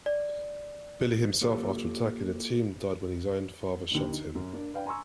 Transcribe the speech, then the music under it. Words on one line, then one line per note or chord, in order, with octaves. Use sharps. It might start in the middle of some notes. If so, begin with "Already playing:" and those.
Billy himself, after attacking the team, died when his own father shot him.
D5
A#3 F4 G4 A4 B4 C#5
A#1 D#2
D#4
F#2
A#3 D4
B4 D5 F5 G5
G#5 A#5 C6 C#6 E6